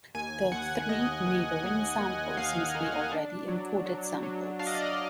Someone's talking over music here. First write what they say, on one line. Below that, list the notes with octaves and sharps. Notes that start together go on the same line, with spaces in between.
The three neighboring samples must be already encoded samples.
D#2 G#5
D#2 F#5
D#2 D#5
D#2
D#2
D#2
D#2 F5
D#3
D4
F#3
F#3
F#3
D4 F5
D#5
D5
D#5